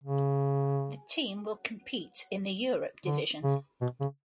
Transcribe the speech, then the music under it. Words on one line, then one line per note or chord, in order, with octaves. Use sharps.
The team will compete in the Europe division.
C#3
D3
C#3
B2
C#3